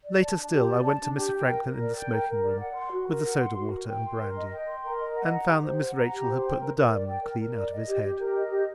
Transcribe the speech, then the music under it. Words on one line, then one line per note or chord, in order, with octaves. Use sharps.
Later still, I went to Mr. Franklin in the smoking-room, with the soda-water and brandy, and found that Miss Rachel had put the Diamond clean out of his head.
D5
A5
D4
G4
D5
A5
D4
G4
G5
A#4
A#4
D5
G5
A#4
A#4
D5
F#5
C6
F#4
A#4
F#5
C6
F#4
A#4
G5
C6
A#4
D#5
G5
C6
A#4
D#5
F#5
A#5
G4
C5
F#5
A#5
G4
C5
G5
A#4
A#4
D5
G5
A#4
A#4
D5
D#5
G4
G4
A#4
D#5
G4